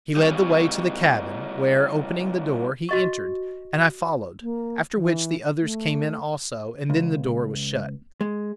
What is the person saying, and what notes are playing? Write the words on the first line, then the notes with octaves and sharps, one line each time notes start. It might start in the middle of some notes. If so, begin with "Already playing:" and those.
He led the way to the cabin, where, opening the door, he entered, and I followed, after which the others came in also and then the door was shut.
C#3 G3
F#4 D#5 C#6
A#3
E3
A3
C#2
G#3